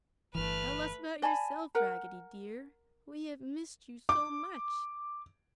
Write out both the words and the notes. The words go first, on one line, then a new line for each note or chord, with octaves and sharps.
"Tell us about yourself, Raggedy dear, we have missed you so much!"
G1 E3 A3 B4 F6
D5 G#5 A5 B5
A#4 F#5 A#5
D6